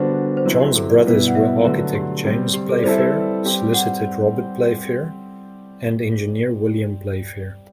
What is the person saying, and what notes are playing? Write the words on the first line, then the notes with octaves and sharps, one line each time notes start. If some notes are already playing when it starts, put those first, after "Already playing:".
John's brothers were architect James Playfair, solicitor Robert Playfair and engineer William Playfair.
Already playing: D3 G3 B3 D4 F#4 C5
C5
F#3 C4 E4 B4
G4
A4
D5
B2 G3 B3 E4 B4
F#5
E5
D3 F#3 A3 B4
G4
C3 G3 C4
G4
A4
D5
G3 C4 E4 A4 C5 E5
B4
G3 C4 G4 C5
F#5